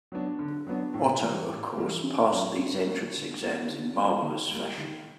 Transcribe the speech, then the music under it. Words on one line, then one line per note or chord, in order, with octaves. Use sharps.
Otto, of course, passed these entrance exams in marvelous fashion.
F#3 B3 D4
D3
F#3 B3 D4
A2
E3 G3 A#3
A2
E3 G3 A#3
C#3
F#3 A#3 C#4
C#3
F#3 A#3 C#4
D3
G3 A#3 C#4
D3
G3 A#3 C#4
D#3
G3 A#3
D#3